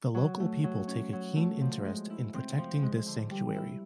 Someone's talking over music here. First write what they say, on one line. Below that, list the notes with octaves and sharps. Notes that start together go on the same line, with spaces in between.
The local people take a keen interest in protecting this sanctuary.
F#3
A3
F#3
C#4
F#3
A3
F3
G#3
E4
C4
F3
G#3
D3
G3
E4